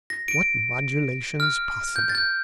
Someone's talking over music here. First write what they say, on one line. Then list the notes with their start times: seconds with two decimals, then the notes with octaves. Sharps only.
What modulations possible!
0.10 A#6
0.28 D7
1.40 F6
1.96 G6
2.09 A6
2.15 G6